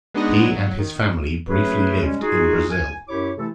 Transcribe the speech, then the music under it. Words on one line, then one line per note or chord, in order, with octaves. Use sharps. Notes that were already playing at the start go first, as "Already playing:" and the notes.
He and his family briefly lived in Brazil.
G#3 B3 D4 D#4 F#4 D#5
F#3
D#3
F#3 A3 C#4 F#4 G#4 B4
C3 G3 G#3 C#4
D#4 F4 F#4 G#4
G#5
F#2 E4 G4 C#5 D6
C3 E3 A3 E4 A4